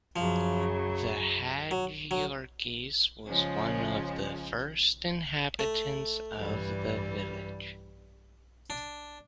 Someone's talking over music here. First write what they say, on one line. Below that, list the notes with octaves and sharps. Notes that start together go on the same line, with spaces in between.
The Hadjiyiorkis was one of the first inhabitants of the village.
F#2 C#3 F3 F#3
F#3
F#3
C#3 F3 G#3 C#4
A3
G2 E3 G3
D4